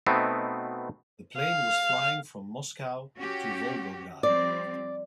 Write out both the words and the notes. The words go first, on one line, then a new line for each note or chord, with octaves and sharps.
The plane was flying from Moscow to Volgograd.
B2 A3 B3 C4 D#4
F5
C#4 F#4 G4
F3 G3 C4 D5